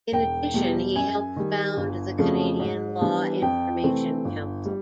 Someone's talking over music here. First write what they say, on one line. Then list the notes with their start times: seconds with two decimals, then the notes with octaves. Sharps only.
In addition, he helped found the Canadian Law Information Council.
0.12 E1 G5
0.54 E2 B2 G3
0.95 F#2 G#5
1.36 D#3 G3
1.77 G1
2.18 F2 C#3 F3 A3
2.60 G#2
3.01 E3 G3 B3 D4
3.42 F2 G5
3.83 C3 E3 A3 C4
4.25 G1
4.66 G3